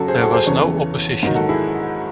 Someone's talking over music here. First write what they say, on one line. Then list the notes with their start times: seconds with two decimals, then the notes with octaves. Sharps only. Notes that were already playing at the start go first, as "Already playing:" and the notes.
There was no opposition.
Already playing: F#2 C#3 F#3 F#4 A4
0.08 G#4 C5
0.21 F#4 A4
0.34 G#4 C5
0.47 E2 C#3 E3 A4 C#5
1.23 G#2 D#3 F#3
1.35 F#4 A4
1.49 E4 G#4